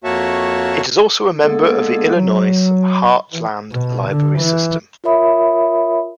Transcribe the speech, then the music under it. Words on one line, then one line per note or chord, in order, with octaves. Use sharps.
It is also a member of the Illinois Heartland Library System.
F2 A#3 F#4 C#5 E5 A5
D3 G#3 A#3 B3 G#4 A4
F#3
E3
B2
D3
E3
F4 A#4 C#5 E5 B5 D#6